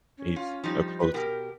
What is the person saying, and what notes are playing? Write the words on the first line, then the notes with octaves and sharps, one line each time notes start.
he's a close
C#4
F4
F3 G3 D#4
B4
B2 G4 A#4